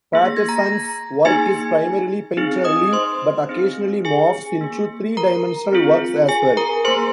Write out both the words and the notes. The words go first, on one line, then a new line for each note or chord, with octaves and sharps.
Patterson's work is primarily painterly, but occasionally morphs into three-dimensional works as well.
A#3 G#4
A#6
G#6
A#5 A#6
A#3 D#4 G#4 G#5 G#6
C4 D#4 G#4
D#5 D#6
C5 C6
C4 D#4 G#4
G#4 G#5
A#3 G#4
A#4 A#5
C4 F4 G#4
G#4 G#5
A#4 A#5
A#3 G#4 C5 C6